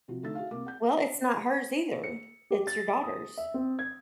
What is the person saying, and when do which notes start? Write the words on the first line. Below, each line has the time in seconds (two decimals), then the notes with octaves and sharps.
Well, it's not hers either. It's your daughter's.
0.08 C3 F3 F#4
0.23 D3 A3 D#4 E5 E6 A6
0.35 F#4 G#4 E5 F5
0.51 C2 A#3 F5 D6
0.65 G#4 F#5 G6
2.04 C#7
2.51 G4
2.67 A6
3.03 D#6
3.37 E5
3.54 C4
3.79 G#6